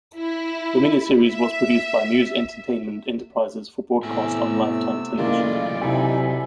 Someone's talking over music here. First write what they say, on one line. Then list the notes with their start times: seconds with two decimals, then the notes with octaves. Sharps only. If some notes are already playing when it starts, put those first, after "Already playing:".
The miniseries was produced by Muse Entertainment Enterprises for broadcast on Lifetime Television.
0.16 E4
1.27 E5
4.03 A2 C3 A3 B3 G5 G#5 E6
5.18 C#3 E3 F#3 A3 A#3 F4 D5 D#5
5.81 C3 D#4 E4 A4 D5 G#5 B5